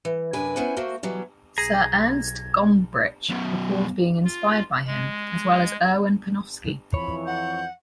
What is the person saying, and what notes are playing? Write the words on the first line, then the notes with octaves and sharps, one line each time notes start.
Sir Ernst Gombrich recalled being inspired by him, as well as Erwin Panofsky.
E3
F#2 C3 D4 B4 G#5
B3 C#4 E4 C5 F#5 G#5
A3 A#3 F#4 C5
B2 E3 F#3 G3
B1 G#4 A#5 G#6
F#2 B2
F4
G#3
F2 E3 C#5 B5
F#5 G6